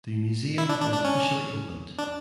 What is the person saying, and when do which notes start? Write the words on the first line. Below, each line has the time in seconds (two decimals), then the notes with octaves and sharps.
The museum was officially opened.
0.58 E4
0.69 D4
0.81 D4
0.93 D4
1.05 C#4
1.98 D4